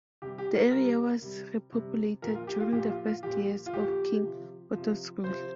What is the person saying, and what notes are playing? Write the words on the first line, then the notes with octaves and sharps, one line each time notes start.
The area was repopulated during the first years of King Otto's rule.
C3 G3 G4
G4
A#4
C3 G3 A#4
C3 G3
C3 G3
A#2 F3 A#4
F4
G4
F4
A#2 F3 G4
F4
F4
A#2 F3 G4
F4
A#2 F3 G4
C3 F3
C3 F3
C3 F3 C5